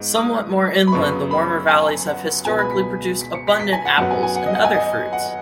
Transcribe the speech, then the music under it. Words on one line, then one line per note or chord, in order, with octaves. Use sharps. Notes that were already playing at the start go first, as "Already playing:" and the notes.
Somewhat more inland the warmer valleys have historically produced abundant apples and other fruit.
Already playing: G#2 G#3 B3
D#6
B5
F#2 C#3 B3 C#6
B5
G#5
G#5
F#5
C#2 B2 B3 G#5
B5
B6
B6
C#7
B6
B6
G#5
F#5
F#2 F#3 B3 F#5
G#5
G#5
F#5
D#5
F#5
G#5
D#5
F#5